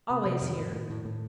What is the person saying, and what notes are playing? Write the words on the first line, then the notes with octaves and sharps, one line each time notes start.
"Always here!"
C3
C3 F3
F2 D#3
A2
A2
A2
A2